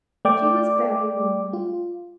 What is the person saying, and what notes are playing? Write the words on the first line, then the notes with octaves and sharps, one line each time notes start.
She was very lonely.
A3 D5 G5 D6
F4